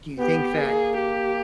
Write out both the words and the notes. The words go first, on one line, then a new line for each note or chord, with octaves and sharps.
do you think that
B3 G4
A#3 G#4
G4